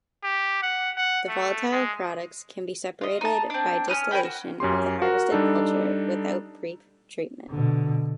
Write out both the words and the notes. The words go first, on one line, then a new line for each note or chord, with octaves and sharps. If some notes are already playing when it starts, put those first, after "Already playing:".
The volatile products can be separated by distillation of the harvested culture without pre-treatment.
G4
F#5
F#5
A3
G#3
F4 D#5
D#4 A5
C4 D4
C#4 D#4 D#6 F6
C#4 A#4 G5 B5
F#4
F#2 C#4 G4 C6
F#4 A#4
G3 D4 D#4 A4
B2 D3